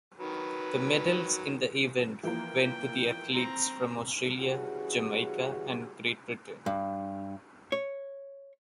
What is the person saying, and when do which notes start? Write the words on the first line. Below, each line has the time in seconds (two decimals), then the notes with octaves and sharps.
The medals in the event went to athletes from Australia, Jamaica, and Great Britain.
0.20 D#3 F#3 B4
2.23 E3 F3 A#3 G5
3.33 C4 A#5
4.40 C#3 E3 G3 F#4 G#4
6.66 G2
7.72 C#5